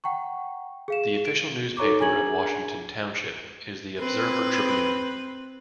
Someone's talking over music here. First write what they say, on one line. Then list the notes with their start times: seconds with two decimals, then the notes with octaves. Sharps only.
The official newspaper of Washington Township is The Observer-Tribune.
0.04 F#5 G5 A#5 C#6
0.88 G#4 F5 E7
1.26 D7
1.77 D#4 A4 C#5 A#5 C#6 D6
1.99 D4 G#4 G#5 A#5 G#6 F#7
3.99 C4 B4